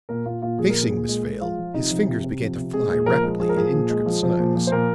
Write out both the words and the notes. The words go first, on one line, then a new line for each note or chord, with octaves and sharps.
Facing Miss Vale, his fingers began to fly rapidly in intricate signs.
A#2 A#4
A#2 F4
A#2 F4
F3 G#4
A#4
A#2
G#4
A#2
G#3
G#3
F3 F4
F3
C3 D#4
F3
C3
C3
F3
C3
G#3 G#4
A#2 G#4
F3 A#4
G#3
F3 G#4
A#4
F3 G#4
A#2
G#3
F3
F3
A#2
F3
C5
A#2 A#4